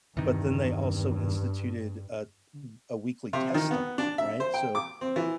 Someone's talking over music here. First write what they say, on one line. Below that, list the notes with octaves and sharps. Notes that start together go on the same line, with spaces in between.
but then they also instituted a m a weekly testing, right? So,
E2 G2 C3 D#3
C3
D#3
B3
D4
E5
C5
G5
D6
C4
E3